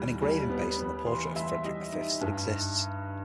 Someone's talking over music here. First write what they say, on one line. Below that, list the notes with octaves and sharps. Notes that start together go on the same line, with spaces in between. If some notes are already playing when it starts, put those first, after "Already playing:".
An engraving based on the portrait of Frederik the Fifth still exists.
Already playing: D#2 G3
G3
B3
B3
E3 C6
G3 E5
G3 D#5
D#4
G2